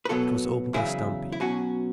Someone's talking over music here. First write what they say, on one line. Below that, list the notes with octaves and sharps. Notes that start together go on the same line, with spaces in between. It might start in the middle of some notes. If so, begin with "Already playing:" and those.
It was opened by Stumpy.
B4
B1 B2 F#3 B3 F#4 A4
E2 C#3 F#3 E4 G#4
E4
B2 F#3 C#4 F#4